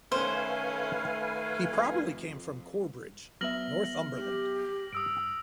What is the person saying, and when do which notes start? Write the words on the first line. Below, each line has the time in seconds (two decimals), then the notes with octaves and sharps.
He probably came from Corbridge, Northumberland.
0.12 D#3 A3 C#4 B4 C5 F5 G#5
1.66 F2
3.41 F#3 B3 E5 F6 A#6 F#7
4.16 G4
4.93 G2 D#6 E6 D7